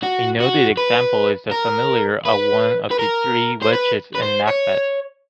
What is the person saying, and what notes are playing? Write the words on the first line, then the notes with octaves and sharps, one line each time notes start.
A noted example is the familiar of one of the three witches in Macbeth.
F#4
F#4
B4
A#4
B4
B4
A#4
C5
B4
B4
C5
C#5